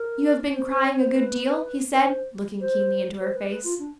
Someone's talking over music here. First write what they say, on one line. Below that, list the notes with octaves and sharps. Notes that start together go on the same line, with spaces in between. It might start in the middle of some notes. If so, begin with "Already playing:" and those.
"You have been crying a good deal," he said, looking keenly into her face.
Already playing: A#4
C5
C5
C#5
C5
B4
B4
C5
C5
C5
B4
B4
F4
D4